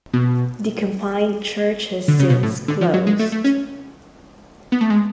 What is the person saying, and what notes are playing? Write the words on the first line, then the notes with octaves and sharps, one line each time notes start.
The combined church has since closed.
B2
D3
C#3
B2
A2
D3
F3
F#3
G#3
A3
A3
C#4
B3
A3
G#3